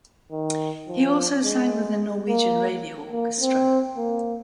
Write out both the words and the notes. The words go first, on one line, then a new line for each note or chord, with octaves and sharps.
He also sang with the Norwegian Radio Orchestra.
D#3
F3
G#3
A#3
A#3
C4
A#3